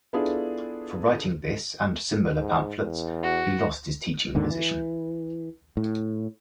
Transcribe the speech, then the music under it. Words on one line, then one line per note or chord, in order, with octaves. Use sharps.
For writing this and similar pamphlets, he lost his teaching position.
B3 D4 E4 F4 G#4 A4
G#2
E2
F#4
D#2 G#2 D3 D#3
E3
A2